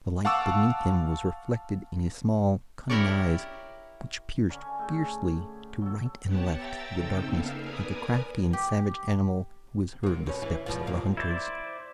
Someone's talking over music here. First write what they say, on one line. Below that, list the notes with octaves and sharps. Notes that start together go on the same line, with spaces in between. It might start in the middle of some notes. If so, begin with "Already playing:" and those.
The light beneath him was reflected in his small, cunning eyes which peered fiercely to right and left through the darkness like a crafty and savage animal who has heard the steps of the hunters.
F5 F#5 A5 C#6 D6 E6
E4 G4 A#4 C#5 D5
D3 C#4 G#5 A#5
A3 G#4
F#3 A4
B3 G4 C#5 F#5 A5
E5 G5 A#5 E6 A6
C#3 C4 D#4 A4 G5 E6
A#3 B3 D#4 E5 F5
A#4 B4 D5 G#5 A#5 D#6
G4
C3 A#3
B2 C#4
E3
E2 B2 F3
C3 A#3
E4 C5 D5